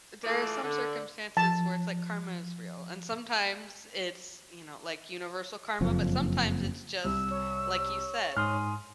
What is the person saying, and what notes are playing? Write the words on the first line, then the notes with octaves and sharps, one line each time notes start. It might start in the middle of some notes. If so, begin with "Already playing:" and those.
there are some circumstances where it's, like, karma is real and sometimes it's, you know, like, universal karma, but sometimes it's just, like you said,
E3 A3 F4 G#4 D5
D3
F3 A5
F#1 F2 F3
C2 E6
C#5
G#2 G#5 C6 D#6 F6